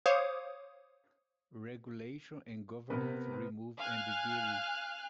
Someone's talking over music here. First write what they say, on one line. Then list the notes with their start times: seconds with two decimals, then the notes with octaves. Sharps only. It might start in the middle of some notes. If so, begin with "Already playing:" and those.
Regulation and governance removes ambiguity.
0.06 C5 C#5 F5 D6 D#6
2.90 C3 B3 A#4 B4
3.78 F5 G#5 F6 F#6